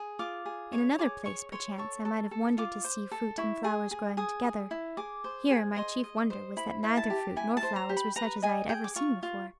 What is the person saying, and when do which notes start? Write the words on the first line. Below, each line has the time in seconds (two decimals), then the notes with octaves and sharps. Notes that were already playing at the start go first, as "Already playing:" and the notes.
In another place, perchance, I might have wondered to see fruit and flowers growing together: here, my chief wonder was that neither fruit nor flowers were such as I had ever seen before.
Already playing: G#4
0.19 F4 D6
0.46 G#4
0.72 C#5
0.99 G#4 D6
1.25 C#5 C#6
1.52 C#5 C6
1.78 A4 C#6
2.05 A4
2.31 A4
2.58 F4 D6
2.84 C5
3.11 A4
3.38 E4 C#6
3.64 G#4
3.91 G#4
4.17 G#4 D#6
4.44 G#4
4.71 E4
4.97 G#4 D6
5.24 C5
5.50 G#4
5.76 D#5 C6
6.04 D#5
6.30 C5
6.57 E4 B5
6.84 E4
6.97 A5
7.10 G4
7.36 E4 G#5
7.57 A5
7.63 C5
7.76 A#5
7.89 G4
7.97 B5
8.16 B4 A#5
8.42 D#5 G#5
8.69 G#4 G5
8.84 D6
8.96 F4 C#6
9.23 F4